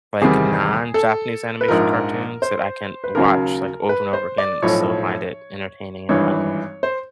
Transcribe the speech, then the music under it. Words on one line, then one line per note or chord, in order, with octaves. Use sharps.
like, non-Japanese animation cartoons that I can watch, like, over and over again and still find it entertaining and funny.
E2 C3 D#3 G3 G#4
A4
B4
A#1 G#2 F3 A#4
C5
B4
D#2 C#3 F#3 A#4
B4
C5
D5
B1 A2 F3 C#5
G#1 G2 E3 C#5
C5